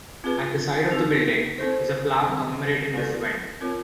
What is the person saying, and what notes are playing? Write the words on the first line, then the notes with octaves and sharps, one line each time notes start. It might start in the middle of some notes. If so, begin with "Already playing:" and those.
At the side of the building is a plaque commemorating this event.
C4 F4 G#4 B4
C4 D#4 G4 A#4
C4 E4 A4 C5
D#3 G3 C4
G#3 B3 E4 A4 D5
C4 F4 A#4 C#5